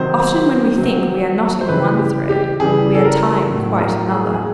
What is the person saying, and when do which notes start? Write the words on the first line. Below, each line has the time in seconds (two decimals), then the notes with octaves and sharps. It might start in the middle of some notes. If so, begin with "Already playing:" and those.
Often when we think we are knotting one thread, we are tying quite another.
Already playing: C3 D#3 F#3 C5
0.78 C3 D#3 F#3
1.61 C5
1.69 C#3 E3 G3 B4
1.99 G4
2.29 G4
2.60 C#3 E3 G3 G#4
2.95 A4
3.05 A#4
3.50 A2 F#3
3.81 A#4
4.11 G#4
4.33 G#4